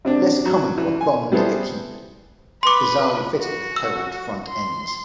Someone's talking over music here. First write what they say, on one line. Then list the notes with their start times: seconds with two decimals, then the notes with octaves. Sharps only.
Less common were Bond Equipes, bizarrely fitted with Herald front ends.
0.05 C3 C4 D4
0.45 F#3 F#4
0.78 E3
1.01 G#5
1.32 G3 B3 E4 G#4 A4 C5
2.63 B4 C6 D6
3.41 F#4
3.76 E6
4.48 C6